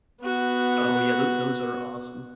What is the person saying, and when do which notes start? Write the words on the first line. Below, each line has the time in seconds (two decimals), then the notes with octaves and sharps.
Oh yeah, tho those are awesome.
0.21 B3 F#4